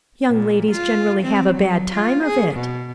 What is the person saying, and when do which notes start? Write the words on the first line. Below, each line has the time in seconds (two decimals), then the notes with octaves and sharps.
Young ladies generally have a bad time of it.
0.29 A#2
0.72 F4
1.23 C4
1.54 F#3
1.94 F4
2.26 G#4
2.54 B2